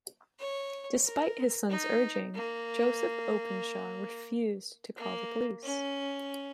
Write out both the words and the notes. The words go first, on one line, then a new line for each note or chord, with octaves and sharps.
Despite his son's urging, Joseph Openshaw refused to call the police.
C#5
A#4
D#4
A#3
A#3
C#4